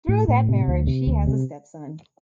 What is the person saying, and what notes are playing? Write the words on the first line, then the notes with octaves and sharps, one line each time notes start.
Through that marriage, she has a stepson.
A2
A2
C3
D2
C3
D2
C3